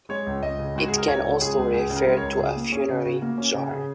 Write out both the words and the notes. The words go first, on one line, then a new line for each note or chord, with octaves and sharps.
It can also refer to a funerary jar.
G#3 C#5
C#2
C#2 D#5
C#3
G#3 F#4
C#2 G#4
A#4
C#2 C#5
C#3
G#3 G#4
C#2
C#2 G#4
C#3
A#4
G#3
C#5
C#2
C#3 G#4
A#3
C#4 G#4
C#3
C#3 F#4
A#3
C#4
C#3
C#3 G#4